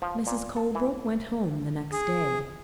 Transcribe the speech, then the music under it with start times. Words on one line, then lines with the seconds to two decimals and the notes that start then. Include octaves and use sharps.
Mrs. Colebrook went home the next day.
0.02 F3
0.27 A#2
0.57 A4
0.75 E3
1.92 G#4